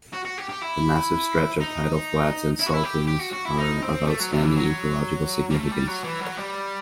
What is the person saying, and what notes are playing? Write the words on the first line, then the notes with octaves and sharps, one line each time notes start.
The massive stretch of tidal flats and saltings are of outstanding ecological significance.
F#4
F#4
G4
G4
E4
D#4
E4
F#4
E4
G4
G4
F#4
F#4
E4
D#4
C4
A3
F#3
C3
E3
F#3
G3
A3
G3
F#3
E3
F#3
G3